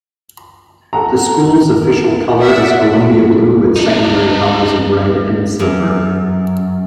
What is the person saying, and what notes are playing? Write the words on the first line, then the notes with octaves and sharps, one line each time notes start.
The school's official color is Columbia blue with secondary colors of red and silver.
A4 F#5 A#5
D5 E5 F#5
D4 D#4
F#2